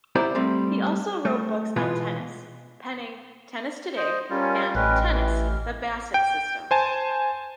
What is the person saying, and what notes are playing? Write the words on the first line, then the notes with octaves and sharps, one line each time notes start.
He also wrote books on tennis, penning "Tennis Today" and "Tennis: The Bassett System."
B3 E4 G4 A#4 C5 D5
G3 A3 C4
A3
B2 E3 G#3 B3 F4
C5 D#5
G3 C#4 F4 A#4
A1 C#4 B4 D#5 G5
E3
F6
G5
C5 G#5 A5